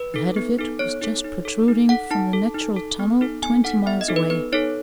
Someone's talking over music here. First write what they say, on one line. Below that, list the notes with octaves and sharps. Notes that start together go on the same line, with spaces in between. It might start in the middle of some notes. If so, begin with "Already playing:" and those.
The head of it was just protruding from the Natural Tunnel twenty miles away.
Already playing: B4
D#4 A4
B3
D#4 A4
B3 C#5
D#4 A4
D#4
A4
D#4
A4 F#5
D#4 A5
A4
D#4
A4
B3
D#4 A4
B3 G#5
D#4 A4 F#5
B3 E5
D#5
D#4 A4
B4
B3 B4
D#4 A4 C#5